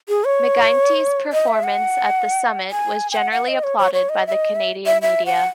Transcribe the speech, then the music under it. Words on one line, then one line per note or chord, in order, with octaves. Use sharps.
McGuinty's performance at the summit was generally applauded by the Canadian media.
G#4
C#5
D#5
E5
F#5
G#5
G#5
F#5
F#5
D#5
C#5
C#5
C#5
D#5
E5
D#5
E5
E5
E5
F#5